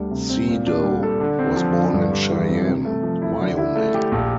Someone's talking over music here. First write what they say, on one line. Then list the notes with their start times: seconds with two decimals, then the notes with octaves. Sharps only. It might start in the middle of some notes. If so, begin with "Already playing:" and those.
Siedow was born in Cheyenne, Wyoming.
Already playing: D2 G3 D4
0.11 C3
0.30 C4
0.48 A#2
0.66 D4
0.83 G3
1.03 A4
1.20 D3
1.39 C4
1.56 F3
1.76 D3
1.93 G2
2.11 G3
2.30 E3
2.48 C4
2.66 C3
2.85 A3
3.03 F3
3.22 E4
3.39 D3
3.57 E4
3.75 A3
3.94 G4
4.12 A#1